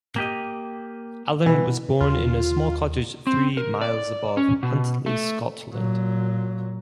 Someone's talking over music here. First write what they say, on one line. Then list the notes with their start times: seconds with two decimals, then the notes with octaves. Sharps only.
Allan was born in "a small cottage three miles above" Huntly, Scotland.
0.16 A#3 G4 D#5
1.46 B2 E3
2.01 D#2 D3 D#3 F4
3.27 C4
3.57 A#4
3.81 D5
4.37 C#4
4.63 B2
5.06 A3
5.73 A#2 F#3